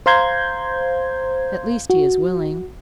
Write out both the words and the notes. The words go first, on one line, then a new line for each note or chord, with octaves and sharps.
At least he is willing.
C5 F5 A#5 C6 G6 G#6
F#4